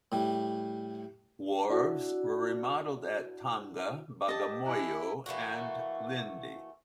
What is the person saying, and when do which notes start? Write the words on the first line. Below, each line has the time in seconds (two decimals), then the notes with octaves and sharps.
Wharves were remodeled at Tanga, Bagamoyo and Lindi.
0.12 A2 G3
1.69 D4 E4 F#4
4.28 G4 D#5 A5
4.66 E4 G#5 F#6
5.26 E3 A3 A#3 F#4